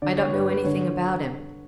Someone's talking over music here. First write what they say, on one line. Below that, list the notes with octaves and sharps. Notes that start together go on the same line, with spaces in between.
"I don't know anything about him."
D3 D5
C#5
G2 B4
B4
D3 C#5